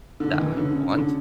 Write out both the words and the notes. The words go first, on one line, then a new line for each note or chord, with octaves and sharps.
that I want
D3
D#3
E3
C#3
D3
C#3
C#3
D3